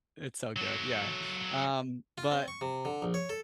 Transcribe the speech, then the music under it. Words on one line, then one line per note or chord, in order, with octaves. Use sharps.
it's so good, yeah. Um, but
F#3 A4
F4
C4
C#6
C3
D3
A#1
C#5
A4